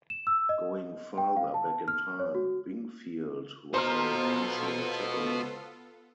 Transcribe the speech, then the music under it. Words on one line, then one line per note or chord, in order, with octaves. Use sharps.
Going further back in time, Bingfield was an ancient settlement.
E7
E6
D#5
G5
F5
A5
F6
C#5
F#4
B3 F4 F#4 A4 B4 C5 A#5 F6